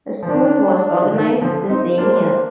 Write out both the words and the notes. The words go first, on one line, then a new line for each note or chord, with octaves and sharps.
A school was organized the same year.
F3
D#3 D4
D4
D3
D#3
D3 F3
C4 D#4
A#3 D4 C5